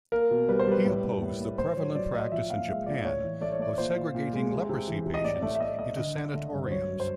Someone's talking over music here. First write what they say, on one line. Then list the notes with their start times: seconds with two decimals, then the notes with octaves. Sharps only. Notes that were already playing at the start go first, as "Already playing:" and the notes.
He opposed the prevalent practice in Japan of segregating leprosy patients into sanatoriums.
0.12 A#3 A#4
0.31 B2
0.49 G3 B4
0.59 C5
0.67 G3 B4
0.85 A2
1.04 A2
1.22 A2
1.40 A2
1.58 A2 C5
1.77 F#3 C#5
1.95 F#3 D5
2.13 A2 D#5
2.32 F3 E5
2.50 A#2 F5
2.68 G#3 E5
2.86 A#2 D5
3.05 A2 C#5
3.23 E3
3.41 A3 D5
3.52 C#5
3.59 A3 D5
3.78 A#2 C5
3.96 A#2
4.15 A#2
4.33 G#3
4.51 C3
4.69 C3
4.88 E3
5.06 C3
5.14 D#5
5.24 A2 D5
5.42 A3 D5
5.55 E5
5.60 A3 D#5
5.79 A3 D#5
5.97 D3 D#5
6.16 D3
6.34 A3
6.53 G2
6.66 C5
6.70 F#3 C#5
6.89 F#2
7.00 C5